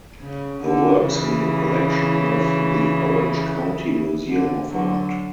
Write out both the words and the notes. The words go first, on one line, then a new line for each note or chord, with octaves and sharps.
Her work is in the collection of the Orange County Museum of Art.
C#3
D3
C#3 E3
D3
D3 F#3